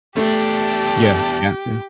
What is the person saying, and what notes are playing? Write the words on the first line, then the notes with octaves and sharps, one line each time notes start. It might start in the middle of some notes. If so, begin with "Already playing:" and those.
Yeah, yeah, yeah.
E2 A3 D4 G4
A5